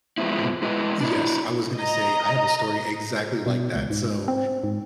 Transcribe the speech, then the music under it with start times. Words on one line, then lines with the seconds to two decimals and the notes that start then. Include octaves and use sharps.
Mhm, yes. I was gonna say, I have a story exactly like that. So,
0.18 F3 G#3 A3 B3 C4 E4
0.62 G#3 E4 B4 D#5
1.01 D4 E4
1.77 D#5 A#5
3.46 B2
3.75 C#2
3.90 G#2
4.28 C4
4.64 G#2